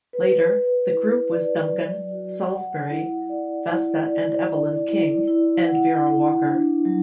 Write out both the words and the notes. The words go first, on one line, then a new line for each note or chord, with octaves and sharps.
Later, the group was Duncan, Saulsberry, Vesta and Evelyn King, and Vera Walker.
B4
B4
E4
D5
F#3
F#4
F#5
E4
D5
E4
D5
D5
E4
E4
F#5
E4
D4
F#3